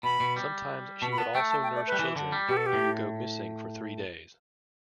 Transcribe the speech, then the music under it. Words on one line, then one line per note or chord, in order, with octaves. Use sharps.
Sometimes she would also nurse children who go missing for three days.
B2 B5
B2
G3
B2 A5
B5
B3 A5
A3 G5
A5
G5
D5
G3 B4
E3
D3
G3
B2 G4
A4
G4
A2